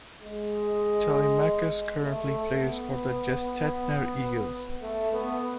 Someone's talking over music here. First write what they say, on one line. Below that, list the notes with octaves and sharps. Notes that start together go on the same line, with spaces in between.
Telemachus currently plays for the Gestetner Eagles.
G#3
A3
B3
A3
B3